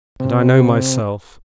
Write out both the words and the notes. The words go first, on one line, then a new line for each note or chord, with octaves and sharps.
And I know myself.
C3